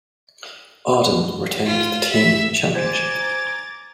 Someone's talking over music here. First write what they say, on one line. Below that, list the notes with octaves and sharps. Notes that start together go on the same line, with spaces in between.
Arden retained the Team Championship.
F4
E5
C5 G#5 A#5 D6 A6